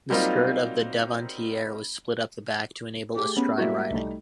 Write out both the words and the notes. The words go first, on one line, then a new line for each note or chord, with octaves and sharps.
The skirt of the devantiere was split up the back to enable astride riding.
F#3 G3 A#3 C4 D#4 F4
A3 G4 G#4 D6
B3 C#4 B5
G3 G#3 A#3 E4 F#4 E5
C2 G3 A3 D#4